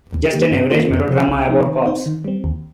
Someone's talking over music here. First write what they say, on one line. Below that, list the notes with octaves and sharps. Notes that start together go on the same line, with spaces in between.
Just an average melodrama about cops.
D#2
D#3 A#3 G4
G2
D#3 A#3 F4 C5
F2
C3 F3 C4
C2
C3 F3 D#4
D#3
C4 D#4 C5
D#3
G3 C4
D#2